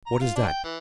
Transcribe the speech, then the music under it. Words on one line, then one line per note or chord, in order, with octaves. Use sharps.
"What is that?"
A#5
F4
D4
G5
E3